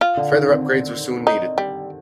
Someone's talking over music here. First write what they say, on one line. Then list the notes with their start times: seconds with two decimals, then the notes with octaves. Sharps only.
Further upgrades were soon needed.
0.01 F4
0.17 D3
0.32 D#3
0.49 C4
1.27 D#4
1.58 G3